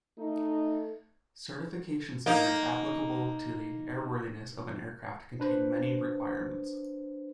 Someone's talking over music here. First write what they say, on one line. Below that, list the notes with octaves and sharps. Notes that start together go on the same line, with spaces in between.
Certification standards applicable to the airworthiness of an aircraft contain many requirements.
A3 D#4
A#3 D#4
D4 B4 C5